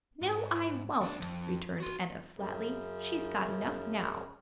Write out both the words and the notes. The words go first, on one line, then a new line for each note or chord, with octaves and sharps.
"No, I won't," returned Enna, flatly; "she's got enough now."
G#2
D#2 D4
F2
F#4 C6
F#2 C#3